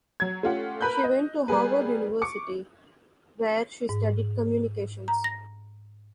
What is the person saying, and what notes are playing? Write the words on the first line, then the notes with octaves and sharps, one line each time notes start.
She went to Howard University, where she studied communications.
F#3 G#6
A3 C#4 F4 G4 F#5
A#4 B4 B5 F#6 G6
D#5
G3 A#3 G#4 B4
C#6 D6 C#7
G#2
A#5
A#6